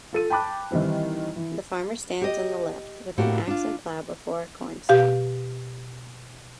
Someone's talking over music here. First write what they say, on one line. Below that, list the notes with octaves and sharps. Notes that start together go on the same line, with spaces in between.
The farmer stands on the left with an ax and plow before a cornstalk.
F4 A4 D#7
G5 A5 B5 D6 F#6
D#3 E3 G3 C4 E4
E3
G4 D#5
A2 A#3 F#4 G4
D4 F4
B2 G4 F5